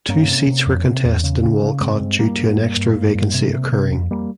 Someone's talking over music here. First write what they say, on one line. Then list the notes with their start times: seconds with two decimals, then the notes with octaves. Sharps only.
Two seats were contested in Walcot due to an extra vacancy occurring.
0.09 G2 A#3 C#4
0.28 C3
0.47 C3
0.67 F2
0.86 C3
1.04 E2
1.24 C#3
1.43 C#3
1.62 C#3
1.81 G2 G#3 C4
2.00 G2
2.19 G2 G3 A#3
2.38 G2
2.58 G2
2.77 G2
2.96 G2
3.15 G2
3.34 C3
3.53 C3
3.72 C3
3.92 F2
4.10 F2 G3 A#3